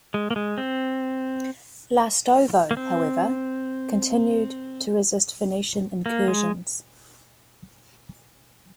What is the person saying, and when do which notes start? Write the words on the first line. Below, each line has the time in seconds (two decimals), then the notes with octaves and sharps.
Lastovo however, continued to resist Venetian incursions.
0.14 G#3
0.31 A#3
0.36 G#3
0.58 C4
2.71 A#3
2.77 C4
6.06 A#3
6.28 G#3